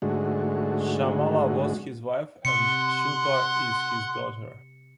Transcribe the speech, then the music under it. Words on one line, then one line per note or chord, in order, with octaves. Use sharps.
Shyamala was his wife and Shilpa is his daughter.
G#2 D3 G#3 A3 F#4
C3 F#5 C6 C#7